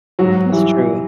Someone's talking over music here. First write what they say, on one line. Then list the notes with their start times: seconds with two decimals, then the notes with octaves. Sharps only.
That's true.
0.19 G#2 F#3 F#4
0.52 E3 G3